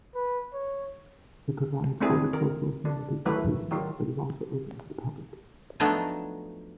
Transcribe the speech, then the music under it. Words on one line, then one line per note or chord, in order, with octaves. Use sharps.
It provides horticultural therapy for patients, but is also open to the public.
B4
C#5
A3 C4 D4 E4 G#4
D#3 A#4
D4
D#3 F#3 A3 E4 B4
D#3 F#3 F4
F3 F#3 A3 B3 D4 D#4